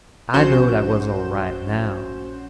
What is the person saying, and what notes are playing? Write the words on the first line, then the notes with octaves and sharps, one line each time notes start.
I knowed I was all right now.
A#1 C#4 F#4 C5 G6 E7